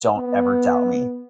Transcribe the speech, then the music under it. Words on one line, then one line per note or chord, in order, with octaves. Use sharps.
"Don't ever doubt me,"
B3